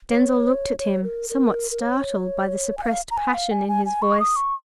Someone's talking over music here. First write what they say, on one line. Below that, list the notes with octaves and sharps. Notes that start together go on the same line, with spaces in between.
Denzil looked at him, somewhat startled by the suppressed passion in his voice.
C#5
C#5
A#4
A#4
A#4
C#5
G#5
F5
A#5
G#5
F5
G#5
G#5
G#5
C#6
D#6
C#6